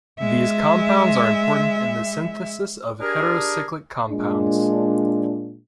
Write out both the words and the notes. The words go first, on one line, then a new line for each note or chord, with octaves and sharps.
These compounds are important in the synthesis of heterocyclic compounds.
G#3 E5
D4 G4 G#4 A#4
A#2 G#3 D4